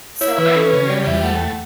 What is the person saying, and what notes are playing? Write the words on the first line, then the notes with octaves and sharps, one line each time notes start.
So, I'm really
E4 C#5
E3 B4
C#4 A4
B4
C#3
C#5
G3 D5
E2 E5
G5
A3 F#5
G5
F#5